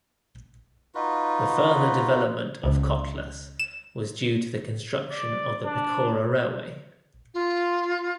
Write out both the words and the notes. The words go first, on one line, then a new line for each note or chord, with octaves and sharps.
The further development of Kotlas was due to the construction of the Pechora Railway.
D#4 F4 F#4 B4
C#2
E7
D5
D4
F4